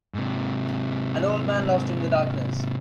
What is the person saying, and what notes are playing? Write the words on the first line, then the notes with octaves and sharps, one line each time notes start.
An old man lost in the darkness.
G#2 C3